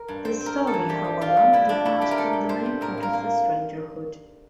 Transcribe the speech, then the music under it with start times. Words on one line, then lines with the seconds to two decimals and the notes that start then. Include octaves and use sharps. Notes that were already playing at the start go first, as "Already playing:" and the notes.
The story, however, departs from the main plot of "The Strangerhood".
Already playing: A#4
0.08 G2
0.25 C4 C5
0.41 C4
0.46 A#4
0.58 C4
0.67 A4
0.74 E3
0.89 G3 G4
1.04 G3
1.21 C4 F4
1.37 G3
1.53 C3 E4
1.69 F3 D4
1.85 C3 E4
2.01 C3 G4
2.11 A#4
2.17 C3 A4
2.33 C3
2.49 C3 C5
2.65 C3
2.81 A2 A#4
2.97 A#3
3.03 A#4
3.13 A#3